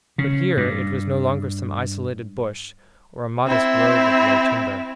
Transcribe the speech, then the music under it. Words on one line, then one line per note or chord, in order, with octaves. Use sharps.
But here it was no longer some isolated bush or a modest grove of low timber.
C#3
G2
C4 E4